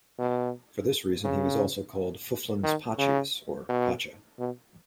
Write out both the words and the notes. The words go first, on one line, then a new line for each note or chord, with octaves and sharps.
For this reason he was also called Fufluns Pachies or Pacha.
B2
C#3
D#3
C#3
B2
B2